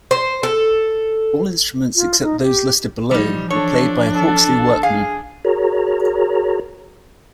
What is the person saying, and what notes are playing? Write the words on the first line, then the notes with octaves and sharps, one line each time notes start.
All instruments except those listed below were played by Hawksley Workman.
C5
A4
F4
D#4
G4
E3 F3 G3 D#4
D4 A4 C#5
A4
G#4 F5
F#4 G#4 A#4 C#5 A#5